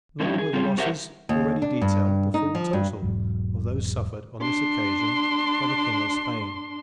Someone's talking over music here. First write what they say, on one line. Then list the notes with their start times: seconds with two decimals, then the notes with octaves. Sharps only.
Nor were the losses already detailed the full total of those suffered on this occasion by the King of Spain.
0.20 D3 F3 G3 C#4 D#4 E4
0.38 G#4
0.53 G3 C4 F4
0.65 G3
0.78 F#4 G4 A#4 C5 E5 F#5
1.29 D#2
1.62 D4
1.82 G2
2.34 D#4
2.55 F3
2.73 G2
3.02 E1 G#2 F#3
4.41 D4 C6